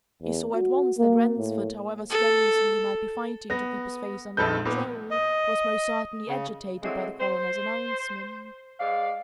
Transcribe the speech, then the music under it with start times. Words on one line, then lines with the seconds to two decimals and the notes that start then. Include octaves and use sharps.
He saw at once that Ransford, however strenuously he might be fighting to keep his face under control, was most certainly agitated by the Coroner's announcement.
0.23 E2
0.55 F#4
0.98 A#3
1.38 A2
2.10 A4
3.50 B3 A#6
4.37 A#1 F2 D#4 A4 B4 G6
4.66 A#2 B3
5.11 D#5
6.28 C#3
6.83 D3 F#3 G#3 C4 E4
7.20 C5
8.79 G#2 D5 F5